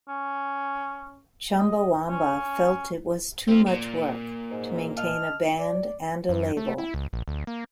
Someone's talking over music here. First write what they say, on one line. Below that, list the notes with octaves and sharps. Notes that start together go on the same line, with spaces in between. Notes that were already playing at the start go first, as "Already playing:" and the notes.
Chumbawamba felt it was too much work to maintain a band and a label.
C#4
D#5
C#4
C4 F4
A#2
G#2
D#5 A5 F6
D5
F#2
A3
E4
C#2
A#1
D2
A#3